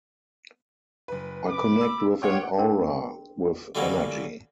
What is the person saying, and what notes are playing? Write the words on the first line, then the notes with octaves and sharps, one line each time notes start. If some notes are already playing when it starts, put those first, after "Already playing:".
I connect with an aura, with energy.
F#1 B4
B5 D6
E6
F4 C#5 F#5 G5 D6
D4 G#4 A#4 G5 C6
D3 E3 F#3 G3 A#3 B3